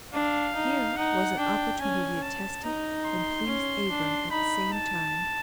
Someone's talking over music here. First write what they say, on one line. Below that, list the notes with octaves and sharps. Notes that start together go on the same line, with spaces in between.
Here was an opportunity to test it and please Abram at the same time.
D4 F5
D#4
D#4 F#5
D4 G5
C#4 G#5
A5
D#4 A#5
C6
C#4
D4
D#4 B5
A5